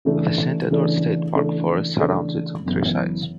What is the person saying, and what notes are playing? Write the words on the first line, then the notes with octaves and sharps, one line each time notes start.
The Saint Edward State Park forest surrounds it on three sides.
C#3 E3 A3 D4 A4
C#3 E3 A3 D4 A4
C#3 E3 A3 D4 A4
C#3 E3 A3 D4 A4
F#1 F#2 E3 B3 E4